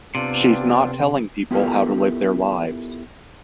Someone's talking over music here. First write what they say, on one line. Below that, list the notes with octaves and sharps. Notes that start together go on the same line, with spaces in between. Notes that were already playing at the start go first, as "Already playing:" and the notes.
She's not telling people how to live their lives.
C3 B3 C4 D4 F4
B3 E4 F4 G4 A4 A#4